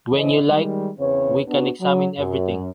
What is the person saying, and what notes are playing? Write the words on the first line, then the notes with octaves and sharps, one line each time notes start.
When you like, we can examine everything.
A2 E3 C#4 A4 C5 D#5
D#3 G3 G#3
E2 C#3 C4 B4 C#5
B3 D4 F#4
F#3
F#2